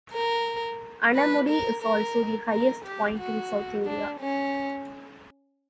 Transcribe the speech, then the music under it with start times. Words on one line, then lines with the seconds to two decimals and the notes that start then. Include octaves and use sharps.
Anamudi is also the highest point in South India.
0.13 A#4
1.15 B4
1.49 A#4
1.82 A#4
2.51 A#4
2.84 G4
3.18 F#4
3.86 D4
4.20 C#4